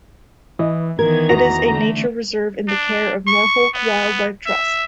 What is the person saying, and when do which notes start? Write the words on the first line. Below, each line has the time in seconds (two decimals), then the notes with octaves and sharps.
It is a nature reserve in the care of Norfolk Wildlife Trust.
0.59 E3 D#5
0.99 D#3 E3 B3 A#4 G#6
1.29 E2 F#4 F#5 A#5
1.66 D3 A3
2.68 D4
3.27 C#6
3.74 B3
4.46 E5